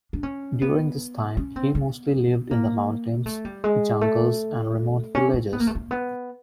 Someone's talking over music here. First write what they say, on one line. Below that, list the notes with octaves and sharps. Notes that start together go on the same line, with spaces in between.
During this time, he mostly lived in the mountains, jungles and remote villages.
D4
C#4
B3
C#4
C4
B3
A#3
A3
G3
G#3
A3
C#4
C4
B3
A#3
A3
A#3
B3